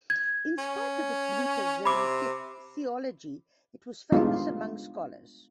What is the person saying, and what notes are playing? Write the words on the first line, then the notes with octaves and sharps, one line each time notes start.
In spite of its Mu'tazili theology it was famous among scholars.
G#6
C#4
C3 B5 D6
G3 G#3 B3 D4 D#4 F4